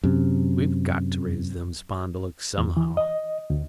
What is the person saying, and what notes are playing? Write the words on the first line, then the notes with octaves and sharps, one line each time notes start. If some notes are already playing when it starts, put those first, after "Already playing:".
We've got to raise them spondulicks somehow.
F#2 C3
E2
E3
D#5
D2